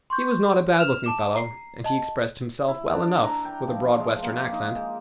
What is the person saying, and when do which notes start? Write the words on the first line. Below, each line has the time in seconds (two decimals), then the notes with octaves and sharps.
He was not a bad-looking fellow; and he expressed himself well enough with a broad western accent.
0.10 C6 C#6 G6
0.78 F6 E7 F7
1.04 A5 D6 E7
1.34 A#5 C7
1.84 D#5 A5
2.68 E4
2.92 D4
3.08 D4
3.23 A#5
3.45 G5
3.68 F3
3.85 F4
4.00 G#3
4.22 A#3
4.53 D#4
4.76 G#3